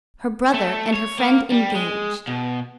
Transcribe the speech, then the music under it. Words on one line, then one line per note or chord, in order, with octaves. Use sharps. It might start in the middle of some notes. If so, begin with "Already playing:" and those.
Her brother and her friend engaged!
A3
C#5
A#3
G3
G#3
B2